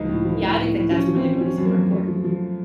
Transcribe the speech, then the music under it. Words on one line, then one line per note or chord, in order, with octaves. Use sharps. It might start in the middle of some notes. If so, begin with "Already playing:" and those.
yeah, I do think that's really, really super important.
Already playing: C#2 F3 D#4
A2
F3
A2
A2
A2
F3 C#4
F3
C4
F3
F3 C#4
F#2
A#3
F#2
F#2 A3
F3
F3